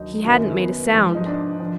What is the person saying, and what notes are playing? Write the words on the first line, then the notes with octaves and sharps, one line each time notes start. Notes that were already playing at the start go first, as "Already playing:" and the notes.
He hadn't made a sound.
Already playing: D#2 D3 F#3 D#4
F#2 D#3 F#3
B3
G#2 F3
D#4
D4
D3 F3